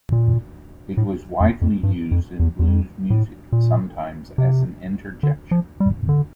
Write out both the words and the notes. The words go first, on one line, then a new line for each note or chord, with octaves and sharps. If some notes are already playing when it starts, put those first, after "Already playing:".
It was widely used in blues music, sometimes as an interjection.
A#2
A2
F2
F2
G2
F2
E2
E2
F2
A2
A#2
C3
D3
F3
G3
D3